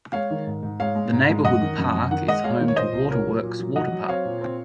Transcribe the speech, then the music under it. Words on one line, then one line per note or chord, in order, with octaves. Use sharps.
This neighborhood park is home to Waterworks Waterpark.
G#3 C#5 F5
D#3
G#2
G#2
G#3 C#5 F5
G#3
G#2
G#3
F#2 D#5 F#5
D#3
F#2
F#2
D#3 F#5
G#3 D#5 F#5
G#3 C#5 F5
D#3
C#5
A#2 C5 D#5
C2
A#2 A#4 C#5
F#3
A#2
F#3
F#3 D#5 F#5
F#3
C4 C#5 F5
A#2
C4